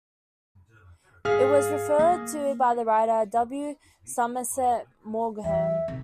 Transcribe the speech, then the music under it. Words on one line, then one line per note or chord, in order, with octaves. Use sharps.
It was referred to by the writer W. Somerset Maugham.
G#2 G#4 F5 F6
A#3
E2 E5
C3 D#3